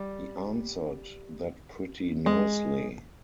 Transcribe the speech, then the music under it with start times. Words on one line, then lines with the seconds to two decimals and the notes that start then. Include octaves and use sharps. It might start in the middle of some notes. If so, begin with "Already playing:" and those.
He answered that pretty nicely.
Already playing: G3
2.26 G#3